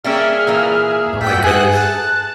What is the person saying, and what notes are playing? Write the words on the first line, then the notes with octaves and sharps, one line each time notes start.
Oh my goodness.
G3 A#3 C#4 G#4 E5 F6
A#2 E3 A#3
A3 F#5 G5 G6 B6
G#4 F#5 D#6 F#6
A5 F#6